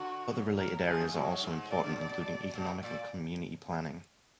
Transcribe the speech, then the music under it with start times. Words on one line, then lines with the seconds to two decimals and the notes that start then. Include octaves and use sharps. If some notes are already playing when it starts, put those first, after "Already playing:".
Other related areas are also important, including economic and community planning.
Already playing: D3 F#4
0.30 F#2
0.57 A#4
0.86 F3 G#4
1.00 F#2
1.07 G#2
1.14 F#2 F#4
1.43 G#2
1.71 B2 D5
1.83 D3
1.96 B2 D5
2.55 B2
2.83 A#2 D5